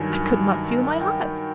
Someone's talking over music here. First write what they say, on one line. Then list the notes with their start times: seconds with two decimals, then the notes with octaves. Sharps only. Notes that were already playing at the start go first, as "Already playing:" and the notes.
I could not feel my heart.
Already playing: G2 D#3 F#3 G#5
1.01 G5